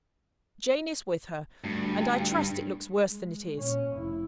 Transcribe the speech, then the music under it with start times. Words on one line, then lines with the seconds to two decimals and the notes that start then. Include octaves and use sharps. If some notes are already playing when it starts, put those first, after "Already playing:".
Jane is with her; and I trust it looks worse than it is.
1.64 D2 G2
3.09 G#3
3.54 A#2 C#4
3.95 F1 E4